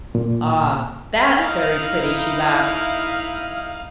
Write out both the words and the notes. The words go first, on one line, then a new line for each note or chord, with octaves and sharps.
"Ah, that's very pretty!" she laughed.
A#2
D#4 E4 F5